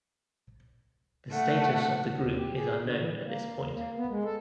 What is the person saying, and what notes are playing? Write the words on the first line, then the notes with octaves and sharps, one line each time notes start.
The status of the group is unknown at this point.
A3 F#5
D#2
G4
G#4
D3
E3
G3
A#3
E2
A#3
B3
G#3
A4